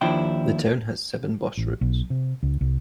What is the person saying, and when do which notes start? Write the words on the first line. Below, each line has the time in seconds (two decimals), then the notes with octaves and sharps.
The town has seven bus routes.
0.01 D#2 F3 D4 E4 G5
1.57 A1
1.81 B1
2.10 C3
2.43 C#2
2.61 C2